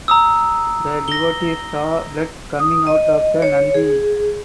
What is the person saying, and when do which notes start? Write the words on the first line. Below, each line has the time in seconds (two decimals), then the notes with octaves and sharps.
The devotees saw blood coming out of the Nandhi.
0.08 A#5 D#6 E6
1.08 A#6 G7
2.59 D#6
2.87 D#5
3.42 C#5
3.74 G#4